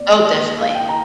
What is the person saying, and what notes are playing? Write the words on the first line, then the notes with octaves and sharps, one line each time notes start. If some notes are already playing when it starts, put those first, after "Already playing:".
Oh, definitely.
Already playing: A#2 C4 D5
D5
D#3 A#3 D#5
F5
G5
A#5